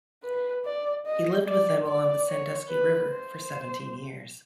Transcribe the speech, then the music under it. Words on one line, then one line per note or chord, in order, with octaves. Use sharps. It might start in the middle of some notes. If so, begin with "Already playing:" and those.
He lived with them along the Sandusky River for seventeen years.
B4
D5
D#5
D5
D5
C#5
B4
C5